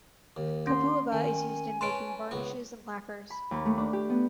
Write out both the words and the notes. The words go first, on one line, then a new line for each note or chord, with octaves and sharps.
Copaiba is used in making varnishes and lacquers.
D#2
C#4 C6
D#3 G#5
C#4 B4 A5 C6 D7
C#2 B3 C#6
B5
D#2
A3
D4
G4
B3